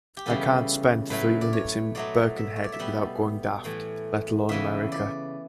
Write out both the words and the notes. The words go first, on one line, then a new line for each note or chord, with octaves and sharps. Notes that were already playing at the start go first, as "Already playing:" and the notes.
I can't spent three minutes in Birkenhead without going daft, let alone America.
G4
C#3 E3 G3 B3 A4
A2 F#3 A3 B4
D5
C#5
B2 F#3 A3 D5
E5
C#5
D5
E5
B2 G3 B3 F#5
A2 E3 A3
C#3 E3 B3 E5
D5